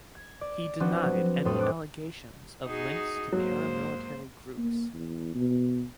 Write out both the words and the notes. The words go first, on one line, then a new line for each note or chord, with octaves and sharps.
He denied any allegations of links to paramilitary groups.
G#6
D5
F3 B3 C4 D4 F4 F#4
F#3 F#4
F1 A2 A4 C5 D#6
D6 D#6 F#6 D7
D#4 F#4 G#4
G#2 F#3 A#3 C5
A#3
E2
B2